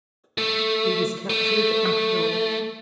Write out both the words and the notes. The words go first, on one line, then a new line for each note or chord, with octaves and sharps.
He was captured and killed.
A3
A3